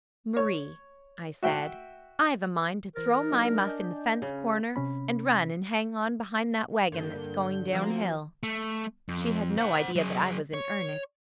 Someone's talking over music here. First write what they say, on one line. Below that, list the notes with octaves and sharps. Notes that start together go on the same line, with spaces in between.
'Marie,' I said, 'I've a mind to throw my muff in the fence-corner and run and hang on behind that wagon that's going down-hill.' She had no idea that I was in earnest.
C#5
F#4 E5 G5
E3 A#4 C5 A6
F#3 D4 D#4
D#5 G#5 G6
C#3 C#4
C3 C#4 B5
G2 D3 A#3 G6
F3 A#3 C4 D4 F#4
A3
F2
C5 F#5
F#3 G#4
C#5